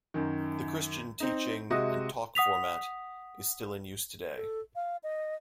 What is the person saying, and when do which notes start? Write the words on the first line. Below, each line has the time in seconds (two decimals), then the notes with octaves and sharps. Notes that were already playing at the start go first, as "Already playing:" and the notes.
The Christian teaching and talk format is still in use today.
0.14 F#2 D#3
1.20 C4 D#4
1.70 C3 G#3 F#4 D#5 E5 D#6
2.35 F#5 D#6 B6 F7
4.36 A4
4.75 F5
5.03 D#5